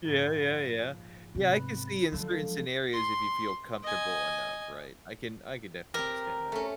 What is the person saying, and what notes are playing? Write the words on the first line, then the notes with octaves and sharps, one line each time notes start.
Yeah, yeah, yeah. Yeah, I can see in certain scenarios if you feel comfortable enough, right? I can I can definitely understand that.
A#1 G#2
G#2 C3
B3
D3 F3 F#3 G#3 A3
C6
D#5 G#5
C4 G4 A#4
A3 C#4